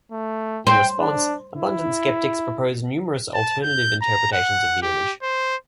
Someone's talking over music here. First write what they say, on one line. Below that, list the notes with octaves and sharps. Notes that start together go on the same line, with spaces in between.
In response, abundant skeptics proposed numerous alternative interpretations of the image.
A3
C5 G5
D4
E4
A5
G6
A#5
F#5
G4
C5